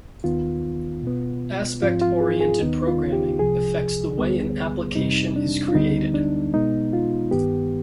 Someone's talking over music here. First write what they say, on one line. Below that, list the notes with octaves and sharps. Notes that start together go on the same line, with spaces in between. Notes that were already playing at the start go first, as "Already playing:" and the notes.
Aspect oriented programming affects the way an application is created.
D#2 D#3 B3 F4
B2 B3
G#2 F3 C4 F4
F4
G#4
G#4
D#2 D#3 B3 D#4
F4
G4
C2 C3 F3 G#4
D2 D3 G3 B3
F2 C3 G3 C4 D#4
D4
F4
D2 D3 G3 B3 D#4
D4
B2 G#3 B3 D#4
F4
G2 D#3 B3 G4